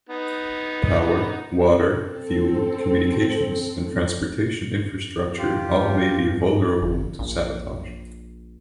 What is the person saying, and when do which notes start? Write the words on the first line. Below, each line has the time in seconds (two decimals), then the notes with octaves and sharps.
Power, water, fuel, communications, and transportation infrastructure all may be vulnerable to sabotage.
0.09 B3 D#4
1.94 C4 A4
5.38 F2 E3 F4 G4
6.23 G2 B2
6.82 G1
7.19 A#1